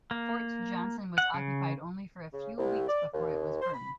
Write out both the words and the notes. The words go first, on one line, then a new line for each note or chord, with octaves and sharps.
Fort Johnson was occupied only for a few weeks before it was burned.
A#3
F#5
C#3
C#3
C2
D5
D#2
C5
B5